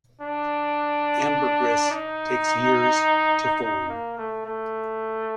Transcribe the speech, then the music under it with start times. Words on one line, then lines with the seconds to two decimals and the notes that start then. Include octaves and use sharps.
Ambergris takes years to form.
0.22 D4
1.91 D#4
3.61 D#4
3.89 A#3
4.18 A3
4.46 A3